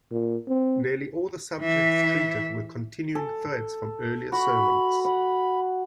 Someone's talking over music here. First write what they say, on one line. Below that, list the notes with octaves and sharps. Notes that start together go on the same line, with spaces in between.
Nearly all the subjects treated were continuing threads from earlier sermons.
A#2
C4
E3 E5
A4
F#4 B5
F#5 B5